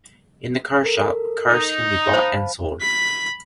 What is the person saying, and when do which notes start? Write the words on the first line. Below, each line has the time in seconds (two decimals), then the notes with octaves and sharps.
In the car shop, cars can be bought and sold.
0.83 A4 A#4
1.49 D#4
2.13 C5 F5 A5 B5
2.81 B5 B6